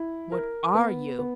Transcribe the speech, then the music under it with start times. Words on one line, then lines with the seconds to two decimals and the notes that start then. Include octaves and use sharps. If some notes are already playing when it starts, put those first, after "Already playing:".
What ARE you?
Already playing: E4
0.32 A#4
0.75 B3
1.19 B3